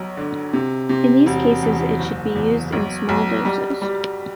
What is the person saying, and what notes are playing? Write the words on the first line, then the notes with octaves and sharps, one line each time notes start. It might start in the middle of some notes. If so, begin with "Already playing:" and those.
In these cases it should be used in small doses.
Already playing: B1 F#3
D3
C3
C3
E1
E2
F#1
E2
B1
B1
G3
G3